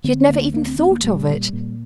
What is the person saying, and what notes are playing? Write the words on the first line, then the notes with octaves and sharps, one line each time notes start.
She had never even thought of it.
D3 C4
D2 A#3
D3 A#3
C4
D2 C4
A#3
A#2 G3
A#2
A#2